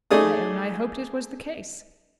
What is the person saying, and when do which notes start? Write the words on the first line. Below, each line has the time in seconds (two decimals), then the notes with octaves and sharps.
I own I hoped it was the case.
0.11 A3 D#4 G#4 D5 D#6